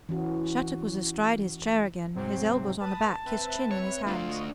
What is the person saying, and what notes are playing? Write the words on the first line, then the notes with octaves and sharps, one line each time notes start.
Shattuck was astride his chair again, his elbows on the back, his chin in his hands.
E3 C#4 F#4
G#2 C3 F#3 C4
B4 A5 D#6
C4 B4 E5
C#5
A3 D4 F4
D#5 C#6